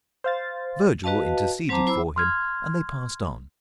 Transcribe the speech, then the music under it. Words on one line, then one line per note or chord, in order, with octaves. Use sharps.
Vergil interceded for him, and they passed on.
C5 F5 A6
F#4 B4 D#5 F5 A5
F#3 C4 C5 A5 A#5 D6
E4 C5 B5 D6 E6
C6 F6 G#6